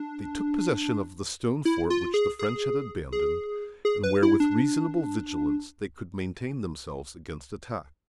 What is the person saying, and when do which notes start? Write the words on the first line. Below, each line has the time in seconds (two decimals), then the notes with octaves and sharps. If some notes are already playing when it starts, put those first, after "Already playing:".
They took possession of the stone fort which the French had abandoned, and where, with reasonable vigilance, they could maintain themselves against attack.
Already playing: D4
1.65 E4
1.90 F4
2.14 G#4
2.39 G#4
3.12 G#4
3.85 G#4
4.04 B4
4.23 E4
4.40 D4